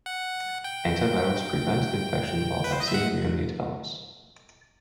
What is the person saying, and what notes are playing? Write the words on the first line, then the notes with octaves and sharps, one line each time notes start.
Antivirals prevent infection while vaccine immunity develops.
F#5
G5
B4
C5
D#5
E5
F#5